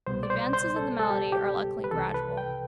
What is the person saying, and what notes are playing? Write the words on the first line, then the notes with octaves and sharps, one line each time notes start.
The advances of the malady are, luckily, gradual.
C2 B2 G3 B3 C5
D5
C5
C5
A4
A4
G4
G4
B4
C2 C3 E3 A4
B4
G5